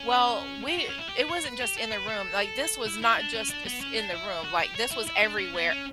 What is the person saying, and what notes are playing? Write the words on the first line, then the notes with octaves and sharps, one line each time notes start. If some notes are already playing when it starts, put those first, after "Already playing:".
Well, we it wasn't just in the room, like, this was not just is in the room, like, this was everywhere,
Already playing: C#4
G4
F#4
C#4
E4
G4
B4
C#5
B4
G4
A4
B4
A4
E4
E4
D4
C#4
D4
B3
C#4
D4
E4
F#4
G4
C#5
E4
E4
D4
C#4
B3
C#4